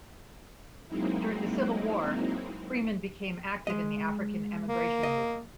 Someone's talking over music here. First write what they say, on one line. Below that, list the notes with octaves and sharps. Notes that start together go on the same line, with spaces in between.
During the Civil War, Freeman became active in the African emigration movement.
F#3 G#3 A#3 C4 D#4 E4
G#3 D#5
A#3
D#5